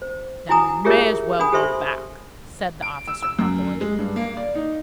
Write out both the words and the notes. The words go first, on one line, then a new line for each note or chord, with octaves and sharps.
"Then we may as well go back," said the officer, grumpily.
C5
E4 F#4 G#5 A#5 D#6
F4 G4 G#4 A#4 C#5 E5
D4 F#5 G#5 B5 D#6
G4 A4 C5 E5 C6 C#6
D7
E6
E6
F#2
G#3
G2
A#3
D5
D#4